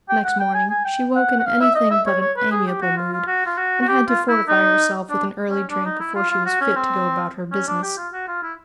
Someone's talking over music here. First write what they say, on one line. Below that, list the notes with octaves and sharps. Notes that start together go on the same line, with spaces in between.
Next morning she woke in anything but an amiable mood, and had to fortify herself with an early drink before she was fit to go about her business.
G5
F#5
G5
G#5
G#5
G5
F#5
F#5
F5
E5
D#5
E5
C#5
C#5
B4
G#4
G4
F#4
F4
F4
F#4
F4
F#4
F#4
G4
F4
E4
D#4
D4
C#4
D4
D#4
E4
F4
F4
F#4
C#4
C4
C#4
D4
G4
F4
F#4
F4
E4